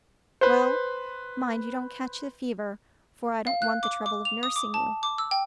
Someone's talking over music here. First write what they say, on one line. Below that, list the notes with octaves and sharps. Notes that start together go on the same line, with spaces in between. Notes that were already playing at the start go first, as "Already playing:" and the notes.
'Well, mind you don't catch the fever: for I don't want the trouble of nursing you.'
B4 C5
F5
F#6
D6
D6
F7
D#6
D6
A5
D6
E6
G5